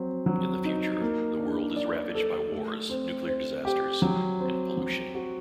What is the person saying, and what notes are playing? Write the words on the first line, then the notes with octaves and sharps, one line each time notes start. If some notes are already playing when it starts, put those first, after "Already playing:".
In the future, the world is ravaged by wars, nuclear disasters and pollution.
Already playing: F#3 C4
F#3
D#4
A#3
D4
D5
A4
A3
C4
C5
G4
F#3
C4
F#3
F#4